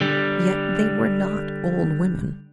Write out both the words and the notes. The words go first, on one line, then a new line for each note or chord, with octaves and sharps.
Yet they were not old women.
D3 G3